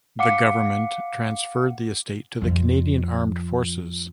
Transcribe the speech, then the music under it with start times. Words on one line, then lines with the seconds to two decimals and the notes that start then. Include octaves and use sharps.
The government transferred the estate to the Canadian Armed Forces.
0.19 F5 F#5 D6 C#7
2.42 F2 F3